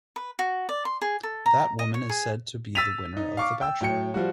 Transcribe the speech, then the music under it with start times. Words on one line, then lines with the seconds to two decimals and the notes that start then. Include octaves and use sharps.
That woman is said to be the "winner" of The Bachelor.
0.16 B4
0.39 F#4
0.69 D5
0.85 C6
1.02 G#4
1.23 A4
1.46 A#5
1.79 D#5
1.94 C#5
2.09 G#4
2.75 E6 A6 B6 D#7 F7
3.17 D#4
3.37 F5 C#6 D6
3.61 G5 E6
3.81 A2 F#3 G5 C#7
4.14 F3 G3 F#4